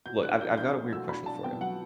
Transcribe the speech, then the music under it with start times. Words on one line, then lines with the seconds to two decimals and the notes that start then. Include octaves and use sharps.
look, I've I've got a weird question for ya
0.06 B2 G6
0.23 D4 F#6
0.40 D4 G6
0.57 D4 G6
0.75 A3
0.92 B2 E6
1.09 D4 B5
1.26 D4 A5
1.44 B3 G5
1.61 F#3 F#5